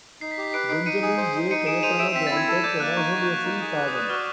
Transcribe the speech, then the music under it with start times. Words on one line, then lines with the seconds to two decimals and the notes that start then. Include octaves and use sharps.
Benjamin J. Cayetano granted Kanahele a full pardon.
0.21 D#4 C7
0.31 B6
0.38 G4
0.43 B6
0.53 B4 C7 D7
0.69 D#4 C7 D7
0.86 D#4 C#7 D#7
1.02 G#4
1.18 C5
1.35 D#4
1.51 D#4 C#7 D#7
1.66 G#4 D7 E7
1.83 C5 D#7 F7
1.99 E5 D7 E7
2.15 C4 B6
2.27 A6
2.31 E4
2.37 G#6
2.48 A4 G#6
2.63 D5 G6
2.80 A#3 F#6
2.96 D#4 C#6
3.12 F#4 C#6
3.28 A#3
3.44 D#4
3.61 G#4
3.77 B4 D6
3.88 D#6
3.94 D5
4.09 F#4 F6